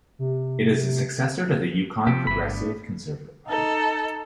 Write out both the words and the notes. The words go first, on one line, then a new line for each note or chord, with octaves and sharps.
It is the successor to the Yukon Progressive Conservative Party.
C3
C3 F3 C4 G4
G1 E3 B5
A3 B3 D4
D#4 A4